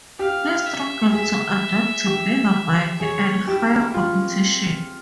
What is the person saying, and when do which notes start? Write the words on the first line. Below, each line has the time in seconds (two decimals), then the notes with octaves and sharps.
He struggled to adapt to bigger bike and higher competition.
0.19 G4 F5
0.66 E5
1.13 G#4 E5
2.06 G4
3.00 G#4 C#5
3.47 E4 G4
3.94 C#4 F4
4.25 C4